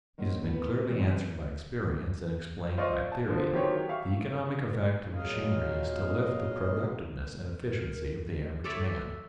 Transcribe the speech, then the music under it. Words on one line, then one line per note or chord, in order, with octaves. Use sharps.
It has been clearly answered by experience and explained by theory: the economic effect of machinery is to lift the productiveness and efficiency of the average man.
D#3 F#3 A#3 C5
A3 B3 E4 G4 A#4
E3 G#3 C4 C#4 F#4
F4 C5 D5 D#5 C#6
A5
D3 F3 C4
D#3 F#3 G4 C5 C#5
F#3 G4
E5 F5 C#6
A#2 C#3 F#3 D#5 F5
A#4
A4 C#5 D5 E5